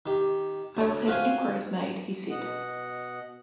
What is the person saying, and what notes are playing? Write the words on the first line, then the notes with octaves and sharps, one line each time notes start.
"I will have inquiries made," he said.
D#3 G4
D2 C#5
F4 F#4 C5 E5 F5 G#5
B2 D#5 F#5